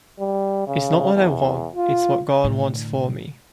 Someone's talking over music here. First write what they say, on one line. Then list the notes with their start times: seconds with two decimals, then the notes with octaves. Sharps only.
It's not what I want; it's what God wants for me.
0.19 G3
0.67 C#3
1.15 E2
1.76 F4
2.44 A2 D3